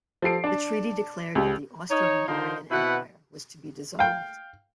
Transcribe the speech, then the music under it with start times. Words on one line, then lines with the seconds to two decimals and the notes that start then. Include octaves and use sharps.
The treaty declared that the Austro-Hungarian Empire was to be dissolved.
0.22 F3 G3 A4 C7 D7
0.44 D4 A5
1.35 C#2 G3
1.91 D#4 C#5
2.28 D3 D#3 D#4 F4 A#4 C5
2.71 B2 C4 E4 F#4 B4 F#5
3.99 F5 G5